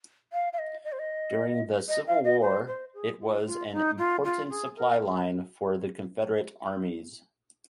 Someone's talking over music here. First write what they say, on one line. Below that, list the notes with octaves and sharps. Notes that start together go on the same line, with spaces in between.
During the Civil War, it was an important supply line for the Confederate armies.
F5
F5
D#5
D#5
C5
D#5
D#5
F5
D#5
C5
C5
G#4
F4
F4
D#4
F4
F4
G#4
A#4